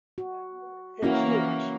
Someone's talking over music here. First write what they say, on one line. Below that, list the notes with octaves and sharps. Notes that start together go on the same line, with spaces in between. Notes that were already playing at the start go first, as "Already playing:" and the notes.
The huge.
F#4
E3 A#3 C#4 E4 F#4